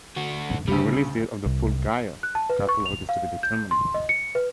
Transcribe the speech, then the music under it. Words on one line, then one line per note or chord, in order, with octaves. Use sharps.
The release date of the full "Gaia" catalogue is to be determined.
D3 F#4
D2 C#3 G3
C2
F#6
A5
B4
C#6
F7
F5
G6
C6
D#5
C#7
B4